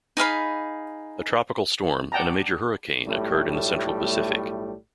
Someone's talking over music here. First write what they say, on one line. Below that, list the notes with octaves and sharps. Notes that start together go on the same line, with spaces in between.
A tropical storm and a major hurricane occurred in the Central Pacific.
D#4 G#4 F5 B5
D5 F#5 G5 A5 A#5
B1 A2 G3 A3